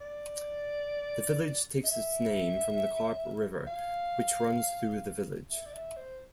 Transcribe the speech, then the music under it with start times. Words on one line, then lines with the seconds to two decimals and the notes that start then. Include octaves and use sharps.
The village takes its name from the Carp River which runs through the village.
0.01 D5
1.84 E5
3.67 F5
5.51 E5
5.66 D5
5.74 E5
5.96 C5